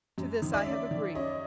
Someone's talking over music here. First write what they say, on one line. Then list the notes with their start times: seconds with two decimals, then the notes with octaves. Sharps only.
To this I have agreed.
0.18 F#2
0.42 D#3
0.53 D5 E5
0.66 C#4
0.91 D#3
1.15 C#4 C#5 D#5